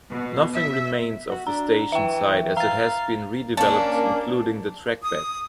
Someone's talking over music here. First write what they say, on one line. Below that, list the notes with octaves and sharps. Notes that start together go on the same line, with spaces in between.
Nothing remains of the station site as it has been redeveloped including the trackbed.
B2
E5
F#4
D4 A#5
E3 E5 G5
F5 A#5 A6
A#3 C#4 D4 A5
D#6